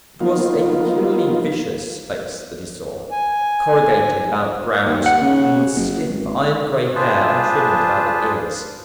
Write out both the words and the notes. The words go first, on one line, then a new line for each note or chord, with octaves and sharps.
It was a peculiarly vicious face that he saw, corrugated about the brows, and with stiff iron-grey hair untrimmed about the ears.
F3 F#3 A#3 B3 D#4 F4
G#5
D#2
F#5
C#3
F#1
G#1
D4 F4 G#4 B4 C5 A5